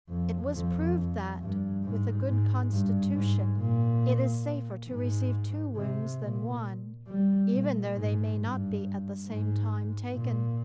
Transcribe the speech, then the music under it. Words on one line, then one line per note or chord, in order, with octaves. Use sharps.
It was proved that, with a good constitution, it is safer to receive two wounds than one, even though they may not be at the same time taken.
F2
F2
F2
G2
G#2
G#2
G2
G#2
A#2
G#2
C3
A#2
G3
A#2
G#2
G2
G#2
A#2